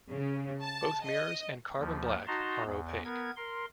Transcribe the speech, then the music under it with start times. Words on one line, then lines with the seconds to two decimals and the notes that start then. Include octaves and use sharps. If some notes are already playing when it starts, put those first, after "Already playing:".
Both mirrors and carbon black are opaque.
0.12 C#3
0.62 A5
1.04 D#5
1.79 D#2 F3
2.27 D#4 F#4 A5 A#5 C6
2.65 E2
3.05 B3 A#4 G#6
3.36 A#4 C6